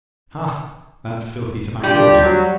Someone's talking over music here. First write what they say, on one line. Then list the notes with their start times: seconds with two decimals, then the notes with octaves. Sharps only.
Ha! that filthy tobacco again!
1.84 G3 D4 F4 G4
2.22 F#3